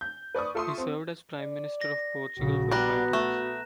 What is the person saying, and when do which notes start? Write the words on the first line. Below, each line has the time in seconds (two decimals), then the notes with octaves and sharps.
He served as Prime Minister of Portugal for five times.
0.01 G6
0.35 B4 D5 C#6 D#6
0.54 F4 A4 E5 C6 C#6 D#6
0.78 C4
1.40 D5
1.81 A#6
2.38 A#1 C#3 F#4
2.71 G3 B3 D4 A#5 F#6 A#6
3.13 A3 E7